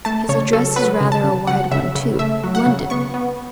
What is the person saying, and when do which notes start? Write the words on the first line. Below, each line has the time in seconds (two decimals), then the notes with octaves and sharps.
'His address is rather a wide one, too--London!
0.05 A3 A5
0.29 C#3 C#5
0.53 F#3 A4
0.76 F#3 B4
1.01 C#3
1.12 A5
1.24 C#3
1.47 F#3 F#5
1.71 C#3 E5
1.95 C#3
2.19 A3 E5
2.44 F#3
2.55 F#5
2.66 C#3
2.90 B3 C#6
3.14 B3